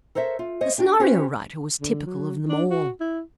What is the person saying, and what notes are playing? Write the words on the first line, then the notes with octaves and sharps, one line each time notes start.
The scenario writer was typical of them all.
A4 A#4 C5 C#5 E5
F4
C5 C#5 D#5
D4 G4
C#4 F#4 G4 B4 C5
D3
F#3
D4
F#4
E4